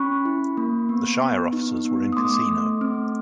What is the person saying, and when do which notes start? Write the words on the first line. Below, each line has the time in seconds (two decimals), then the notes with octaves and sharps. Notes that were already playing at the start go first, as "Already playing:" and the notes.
The shire offices were in Casino.
Already playing: C#4 B5 C#6
0.25 E4
0.57 A#3
0.89 B3
1.21 B3
1.53 D#4
1.85 B3
2.12 D#6
2.17 A3 C6 D6
2.48 A3
2.81 C4